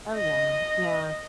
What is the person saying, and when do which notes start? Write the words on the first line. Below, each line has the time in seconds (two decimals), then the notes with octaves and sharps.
Oh, yeah. Yeah.
0.15 D#5